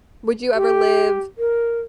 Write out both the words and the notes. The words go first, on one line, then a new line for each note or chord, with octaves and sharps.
Would you ever live
G4
A#4